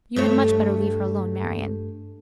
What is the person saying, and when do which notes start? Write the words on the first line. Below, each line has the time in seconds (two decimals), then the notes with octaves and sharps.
You had much better leave her alone, Marian.
0.16 G2 A3 C#5